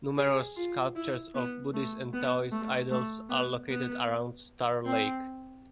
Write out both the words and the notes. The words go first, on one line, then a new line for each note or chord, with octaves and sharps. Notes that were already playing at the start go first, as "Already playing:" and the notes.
Numerous sculptures of Buddhist and Taoist idols are located around Star Lake.
G#4
F4
E4
B3
A3
B3
A3
A3
B3
B3
C4